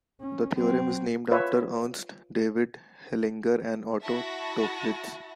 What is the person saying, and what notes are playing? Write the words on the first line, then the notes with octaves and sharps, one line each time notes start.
The theorem is named after Ernst David Hellinger and Otto Toeplitz.
C#4
F#3 C4
F4 B4 C#5 E5
E4 F#4 E5 A5 A#6